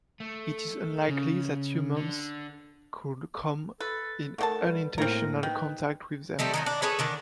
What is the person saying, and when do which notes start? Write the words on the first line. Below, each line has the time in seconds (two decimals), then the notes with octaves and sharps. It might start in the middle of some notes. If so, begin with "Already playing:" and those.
It is unlikely that humans could come in unintentional contact with them.
0.20 A3
1.09 C#3
1.97 D3
3.80 A4 B4
4.38 D#3 A3 F#4 A4 A#4 F#5 A5
4.65 G3 B4
4.98 A2 A#3 C4 A#4 A#5
5.43 D#3 B4 G5
6.39 D#3 G3 A3 C4
6.54 D#3 F#3 D#4
6.66 D4
6.82 G#4 A4 B4 C#5
6.99 D3 D#3 D4